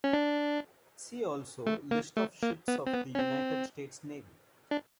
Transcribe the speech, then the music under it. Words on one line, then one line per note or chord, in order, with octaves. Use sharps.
See also List of ships of the United States Navy.
C#4
D4
A3
A#3
A3
A#3
B3
C4
B3
C#4
C4
D4